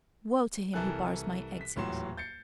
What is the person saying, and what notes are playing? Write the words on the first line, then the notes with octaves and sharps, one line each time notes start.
Woe to him who bars my exit!
C2 E3 A4 A#4 G#5 F#6
B6
D#1 E2 A2 F#3 C6 E7
G6 A6 C7 C#7